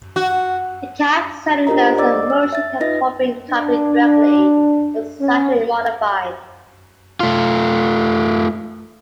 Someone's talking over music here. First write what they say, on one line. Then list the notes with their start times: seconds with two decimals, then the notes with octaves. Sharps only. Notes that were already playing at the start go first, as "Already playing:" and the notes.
The cab, cylinders, and motion had all been copied directly or slightly modified.
0.16 F#4
1.67 D4 F4 G4 A#4 D#5 A#5
1.80 C5
1.98 D5 D#5 D6 E6 A6
2.30 E6
2.53 E5 A6
2.80 D#4 F4 B4 D#5 A#6
3.51 D4
5.20 C#4
7.20 A3 F4